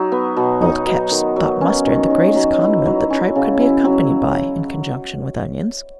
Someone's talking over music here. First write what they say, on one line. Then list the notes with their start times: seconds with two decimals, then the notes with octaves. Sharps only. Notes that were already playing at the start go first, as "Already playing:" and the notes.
Old Ketch thought mustard the greatest condiment that tripe could be accompanied by, in conjunction with onions.
Already playing: F#3 D#4
0.12 B3
0.37 B2
0.62 D#4
0.87 F#3
1.11 D#3
1.36 F#3
1.61 C#4
1.86 D#3
2.10 D#3
2.36 F#3
2.61 E4
2.86 F#3
3.10 C#4
3.36 C#3
3.60 E4
3.85 F#3